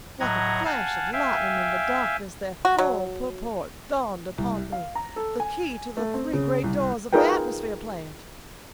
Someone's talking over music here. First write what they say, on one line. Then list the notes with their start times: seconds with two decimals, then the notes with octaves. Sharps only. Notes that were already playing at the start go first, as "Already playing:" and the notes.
Like a flash of lightning in the darkness their full purport dawned upon me--the key to the three great doors of the atmosphere plant!
0.20 A2 F#3 D#5 F#5 A#5 G#6
0.65 F5 F#5 G#5 A5
1.13 E5 F5 G5 G#5
2.65 F#4
2.78 F#3
4.38 C2
4.72 F5
4.95 A#5
5.16 A4
5.40 G#5
5.97 A3
6.14 C4
6.33 C#3
6.64 C2
7.13 D#4 F4 G#4 A#4 B4 G5